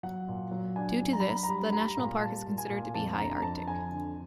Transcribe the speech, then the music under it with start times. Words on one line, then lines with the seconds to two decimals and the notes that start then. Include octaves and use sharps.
Due to this, the National Park is considered to be "high arctic".
0.03 F#3 F#5
0.28 A#2
0.51 F#3
0.76 D4 G#5
1.01 F#3
1.13 A#5
1.20 B5
1.25 D4 A#5
1.36 B5
1.43 A#5
1.48 G3 B5
1.59 A#5
1.66 B5
1.72 G3 A#5
1.81 B5
1.88 A#5
1.97 A#2
2.21 G3 A5
2.46 A#2
2.58 G#5
2.70 A#2
2.94 F2 A5
3.18 D3 A#5
3.36 A#5
3.42 F2 A5
3.67 F2 G#5
3.92 D3